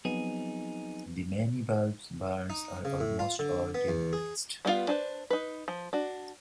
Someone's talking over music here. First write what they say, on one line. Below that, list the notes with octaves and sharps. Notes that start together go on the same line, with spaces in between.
The many bulbs barns are almost all demolished.
F3 F#3 B3 C4 D#4 G#4
D#4
C#3
A2
F4
D3
B3
E2
G#4
G3 B3 C4 F4 F5
D4 B4 C5
D#4 B4
F3
D4 F#4